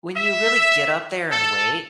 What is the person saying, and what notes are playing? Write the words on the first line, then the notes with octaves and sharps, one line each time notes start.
when you really get up there in weight,
E5
A4